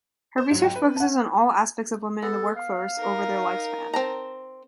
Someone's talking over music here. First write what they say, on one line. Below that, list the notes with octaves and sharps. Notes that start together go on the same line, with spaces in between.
Her research focuses on all aspects of women in the workforce over their lifespan.
C5
G#2 F#3
G5
B4
F#5 A5
B3 A4
F5
D#4 A#4
C4 A5 A#5